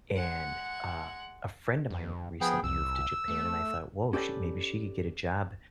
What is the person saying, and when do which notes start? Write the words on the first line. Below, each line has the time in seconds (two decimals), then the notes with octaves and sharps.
and a a friend of mine recently moved to Japan, and I thought, "Whoa, she maybe she could get a job
0.16 G#3 F#5
1.90 F2
2.41 F3 B3 G#4 G5
2.64 C2 E6
3.28 A3
4.13 C#4 G4 A4 B4 D5